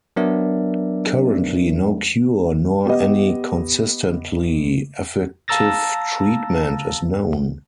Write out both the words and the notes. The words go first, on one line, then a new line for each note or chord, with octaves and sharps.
Currently no cure nor any consistently effective treatment is known.
F#3 B3 D4 A#4 D5 E5
B3 G4 D#5
F5 A5 A#5 E6 A6 A#6